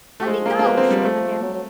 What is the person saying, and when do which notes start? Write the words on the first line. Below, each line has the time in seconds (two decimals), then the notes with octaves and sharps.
"Let me go!" she ordered him.
0.20 A3
0.26 F3 G#3
0.46 A#3
0.59 A#3
0.65 B3
0.77 C4
0.91 G3
1.04 A3
1.42 F#3
1.54 F#3